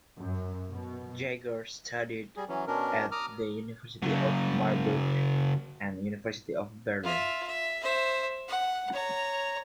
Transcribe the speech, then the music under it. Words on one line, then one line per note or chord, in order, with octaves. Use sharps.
Jaeger studied at the University of Marburg and University of Berlin.
F#2
B2
G3 G#4
E3 F#3 C#4
B2 C#4 D4 A#4
A#5 D6 D#6 F6
C#3 F#3
F4 E5
E5
C5 E5
F#5
C#5 A#5